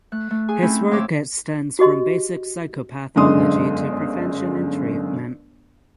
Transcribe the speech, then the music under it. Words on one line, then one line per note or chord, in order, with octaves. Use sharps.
His work extends from basic psychopathology to prevention and treatment.
A3 F#6
A3
G#4 G#5
A3 C4 C#4 D#4 E4
F2 A2 C#5 C6 D6 E6
F#4 G4 D#5 C6
G1 F#2 D3 G#3 C6 D#6